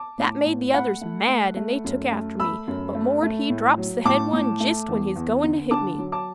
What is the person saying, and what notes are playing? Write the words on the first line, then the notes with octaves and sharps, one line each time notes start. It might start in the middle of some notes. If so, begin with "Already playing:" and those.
That made the others mad an' they took after me, but 'Mord' he drops the head one jist when he's goin' to hit me.
Already playing: A5 D6
A2
A2
A3 F#5 B5
A3
A3
A3
F#2
A3
A3 B5 E6
F#2
A3
A3
A2
F#3
A2 A5 D6
A2
A3
E2
E2
D3
D3 A5 D6
F#3
A5 D6